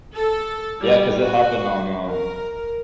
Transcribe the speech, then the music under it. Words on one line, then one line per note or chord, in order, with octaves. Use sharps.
Yeah, 'cause it happened on, um,
A4
G3
F#4
A#4